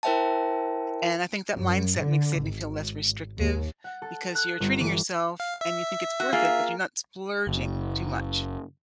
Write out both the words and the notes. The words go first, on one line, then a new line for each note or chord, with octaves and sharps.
and I think that mindset makes saving feel less restrictive because you're treating yourself and you think it's worth it, but you're not splurging too much.
E4 A#4 C5 E5 G5 A5
F#2
D3
G#1
D#2
F#5
A4
F#6
G1
E3
F5
E5
F#4
A#3 F4 G#4
F#1